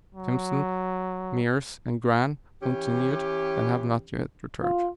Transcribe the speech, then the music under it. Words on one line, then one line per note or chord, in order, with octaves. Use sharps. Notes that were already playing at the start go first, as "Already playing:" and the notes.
Simpson, Meares and Gran continued and have not yet returned.
F#3
E3 C#4 G4
F4